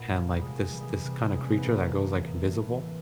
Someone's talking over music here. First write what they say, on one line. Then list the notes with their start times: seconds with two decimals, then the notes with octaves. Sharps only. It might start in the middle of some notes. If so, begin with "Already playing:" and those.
and, like, this this kinda creature that goes, like, invisible,
Already playing: A#2 B3
0.10 F3
0.35 G3
0.41 C3 G#3
0.73 E3 G3
0.80 G#3
0.89 G3
1.03 C3 G3
1.34 E3 G#3
1.44 C#4
1.51 C4
1.58 B3
1.64 A2 A#3
1.96 E3
2.28 A2
2.58 E3